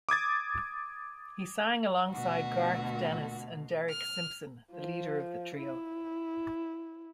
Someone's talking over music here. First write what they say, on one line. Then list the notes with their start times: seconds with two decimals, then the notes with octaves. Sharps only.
He sang alongside Garth Dennis and Derrick Simpson, the leader of the trio.
0.09 D6 D#6 G#6 A6
2.11 D2 B2 F#4
3.90 F6
4.72 F3
5.56 E4